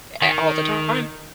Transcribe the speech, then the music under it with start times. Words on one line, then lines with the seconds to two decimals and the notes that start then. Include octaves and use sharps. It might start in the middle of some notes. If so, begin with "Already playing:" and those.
Eh, all the time.
0.22 D#3